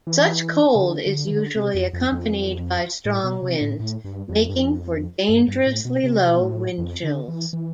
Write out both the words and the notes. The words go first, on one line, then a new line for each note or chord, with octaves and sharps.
Such cold is usually accompanied by strong winds, making for dangerously low wind chills.
E3
C3
D3
D3
E3
D3
C3
F2
F2
F2
A2
B2
C3
A2
A2
G2
F2
G2
F2
G2
G2
A2
B2
C3
B2
A2
F2
D3
E3
E3